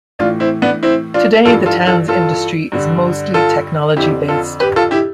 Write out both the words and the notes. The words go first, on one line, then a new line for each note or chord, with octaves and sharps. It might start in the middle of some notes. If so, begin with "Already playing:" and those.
Today, the town's industry is mostly technology based.
A2 E3 D4 F4
C4 E4
B3 D4
C4 E4
D4 F4
G2 E3 F4 A4
F4 A4
F4 A4
F4 A4
G2 D3
F4 A4
F2 D3 E4 G4
F4 A4
G4 B4
F4 A4
E4 G4